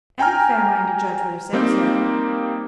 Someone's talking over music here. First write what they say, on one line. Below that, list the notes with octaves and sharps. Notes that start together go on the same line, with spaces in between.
Any fair-minded judge would have said so.
G5 G#5 A#5 F6
G3 A#3 C4 D#4